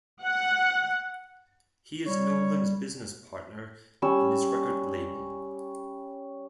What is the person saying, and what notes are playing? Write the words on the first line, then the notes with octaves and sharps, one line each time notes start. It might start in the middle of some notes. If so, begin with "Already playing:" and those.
He is Nolan's business partner in his record label.
F#5
G3 C#5
G3 C#4 C#5 E6